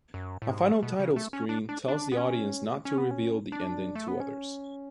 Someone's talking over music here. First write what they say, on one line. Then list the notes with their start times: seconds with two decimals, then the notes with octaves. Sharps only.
A final title screen tells the audience not to reveal the ending to others.
0.14 F#2
0.42 A2
0.48 G#2
0.83 B2
0.99 C#3
1.16 A3
1.33 C#4
1.49 D4
1.69 D4
1.88 D4
2.12 B3
2.17 C#4
2.85 C#4
2.98 B3
3.11 C#4
3.52 D4
3.95 A3
4.08 B3
4.20 C#4